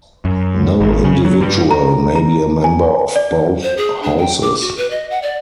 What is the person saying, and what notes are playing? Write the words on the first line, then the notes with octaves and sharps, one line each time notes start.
No individual may be a member of both Houses.
F#2
G#1
C#3
F#3
G2
A#5
A#5
G#5
D5
C5
G#4
D4
G5
D6
F#4
B4
D#5
F#5
D5